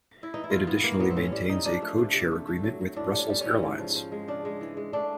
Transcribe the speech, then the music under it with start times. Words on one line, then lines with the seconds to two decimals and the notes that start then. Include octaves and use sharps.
It additionally maintains a codeshare agreement with Brussels Airlines.
0.23 E4
0.34 E3 D#4
0.44 E4
0.50 G2 F4
0.67 E3 B3
0.83 E3 A#3
0.99 A2 B3
1.10 C4
1.16 A2 C#4
1.32 G3
1.49 E3 D#4
1.65 F3 D4
1.82 A3
1.98 C3
2.14 C3
2.31 A3
2.47 A3
2.64 F#3
2.81 F#3
2.96 A2 D4
3.13 G3
3.18 C#4
3.30 G3
3.41 C#4
3.46 E3
3.63 G#2
3.78 F3
3.95 F3
4.12 G#3
4.28 C#3 D4
4.45 G#3
4.61 E3
4.77 G#3
4.93 A3 D4